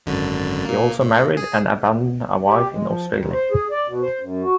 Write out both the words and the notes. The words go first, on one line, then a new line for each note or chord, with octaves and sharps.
He also married and abandoned a wife in Australia.
G#1 F#2 D3
A#2 A#3
A2
G#4
G4
G#3
F3
D#2
C5
G#4
D5
B2
C5
F#2
F#4